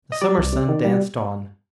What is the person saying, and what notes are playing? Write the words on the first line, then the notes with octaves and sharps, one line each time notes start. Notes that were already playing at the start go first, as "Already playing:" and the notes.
The summer sun danced on.
D#5
G3 D5
C2
C3
D#3
G3